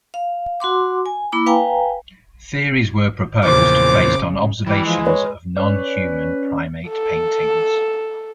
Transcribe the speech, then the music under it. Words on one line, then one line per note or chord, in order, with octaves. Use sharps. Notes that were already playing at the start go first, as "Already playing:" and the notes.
Theories were proposed based on observations of non-human primate paintings.
F5
F#4 F#5 C6 D6
G#5
A#3 E4 B5 D6
B4 F5 G5 G#5 A#5
E2 A#2 C#3 F3 C5 D6
E3 G3
F3 G#3
B4 C#5
C#4 B4 C#5 D5
A4